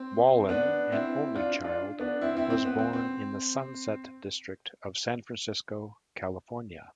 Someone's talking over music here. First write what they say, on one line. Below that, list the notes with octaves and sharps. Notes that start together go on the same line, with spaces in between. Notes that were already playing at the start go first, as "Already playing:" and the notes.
Whalin, an only child, was born in the Sunset District of San Francisco, California.
Already playing: C4
B3 D4
C4 E4
D4 F4
D4 F4
B3 D4
C4 E4
C4 E4
C4
B3
C4
C4